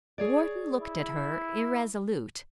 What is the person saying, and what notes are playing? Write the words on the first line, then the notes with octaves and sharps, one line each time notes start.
Wharton looked at her irresolute.
G#4 C#5 D5
E4